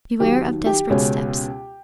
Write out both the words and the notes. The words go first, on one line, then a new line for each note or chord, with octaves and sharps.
Beware of desperate steps!
D#2 D#3 F#3 G4
G4
C#2 B2 G#3 C#4